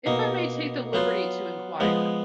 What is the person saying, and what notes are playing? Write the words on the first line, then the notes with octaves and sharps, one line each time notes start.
If I may take the liberty to inquire.
B2 A#3 D#4
F#3 B3 F4
F3 G#3 B3